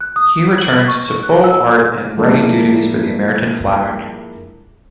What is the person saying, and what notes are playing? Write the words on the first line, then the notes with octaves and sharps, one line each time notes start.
He returned to full art and writing duties for the American Flagg!
F#6
D#6
F#7
C#6
F#6
E6
F3 G#3 A#3 D4 E4 A4